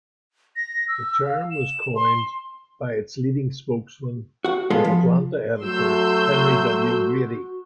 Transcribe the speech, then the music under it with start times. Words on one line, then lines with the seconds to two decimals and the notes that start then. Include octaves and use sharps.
The term was coined by its leading spokesman and "Atlanta" editor Henry W. Grady.
0.56 A#6
0.88 E6
1.26 F5
1.51 E7
1.96 C6
4.44 F#4 F#5
4.70 G#3 B3 F4 G#4 A4
4.84 F3
5.62 F#3 A3 F#4 C6 E6 G6